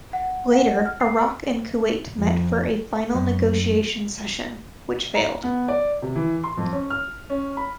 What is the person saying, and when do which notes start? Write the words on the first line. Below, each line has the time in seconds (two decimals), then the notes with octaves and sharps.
Later, Iraq and Kuwait met for a final negotiation session, which failed.
0.13 F#5
0.53 F#5
0.86 F6
1.00 C7
2.17 F2
3.14 F#2
5.14 A#5
5.43 B3
5.68 D5
6.02 C3
6.16 E3
6.44 C6
6.57 F2
6.72 C#4
6.90 F6
7.30 C#4
7.57 B5